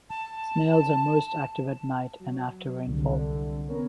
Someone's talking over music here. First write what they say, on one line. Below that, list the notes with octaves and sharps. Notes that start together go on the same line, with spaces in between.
Snails are most active at night and after rainfall.
A5
F#3
C2 D3
B3 C#4 A#4 C#5